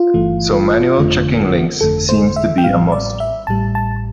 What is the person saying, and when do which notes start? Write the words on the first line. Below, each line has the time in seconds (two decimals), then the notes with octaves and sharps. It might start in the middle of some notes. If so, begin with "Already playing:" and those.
So manual checking links seems to be a must.
Already playing: F4
0.14 G1 G2 E3 A3
0.98 G1 F2 D3 A3
1.81 G1 F2 D3 A3 A4
2.09 C5
2.36 E5
2.58 G5
2.64 A1 A2 G3 F5
2.92 D5
3.20 E5
3.47 A1 A2 G3 A5
3.75 A5